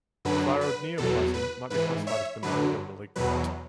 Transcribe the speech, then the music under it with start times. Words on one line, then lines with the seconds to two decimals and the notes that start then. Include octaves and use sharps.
Thyroid neoplasm might be classified as benign or malignant.
0.25 F#2 D3 F#3 B4
0.61 B4
0.98 E2 B2 F#3 A4
1.34 B4
1.70 G#2 E3 B4
2.07 C#5 E5
2.43 F#2 D3 F#3 B4
3.16 E2 B2 F#3 B4